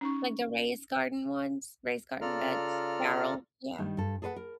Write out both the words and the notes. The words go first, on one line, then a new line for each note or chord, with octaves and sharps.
Like the raised garden ones, raised garden beds, barrel? Yeah.
C#4 D#4 C#6
C#3 F4 A4 D5 A#5 F6
G2 D#3 G3
G2 A4
G#4 A4 B4 C5 F#5
A#4